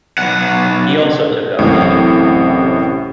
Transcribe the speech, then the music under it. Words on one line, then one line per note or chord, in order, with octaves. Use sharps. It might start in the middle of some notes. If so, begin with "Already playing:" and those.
He also took up painting.
B1 F#5
A1 F#2 A2 C3 C#4